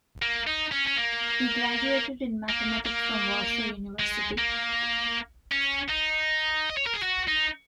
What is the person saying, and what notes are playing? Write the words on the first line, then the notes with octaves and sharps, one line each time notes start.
He graduated in mathematics from Warsaw University.
A#3
D#4
C#4
C#4
A#3
A#3
A#3
G#3
A#3
C#4
D#4
D#5
C#5
A#4
G#4
F#4
D#4